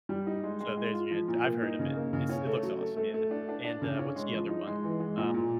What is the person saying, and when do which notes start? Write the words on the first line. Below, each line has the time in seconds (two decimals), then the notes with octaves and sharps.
So, there's your answer, I've heard of it. It's it looks awesome, yeah. And, uh, what's the other one? Um
0.09 G3
0.27 D#4
0.43 G#3
0.60 G#3
0.77 G#3
0.94 F4
1.11 F3
1.28 A#2
1.45 A#3
1.62 D#4
1.79 C#3
1.96 A#3
2.13 C#3
2.29 C#4
2.46 A3
2.63 F#3
2.81 A3
2.97 A3
3.14 A3
3.31 D4
3.49 D4
3.64 D4
3.82 C#3
3.99 C#4
4.16 G#3
4.32 F3
4.49 D#4
4.67 G#3
4.83 E3
5.00 G#3
5.17 A#2
5.34 A#2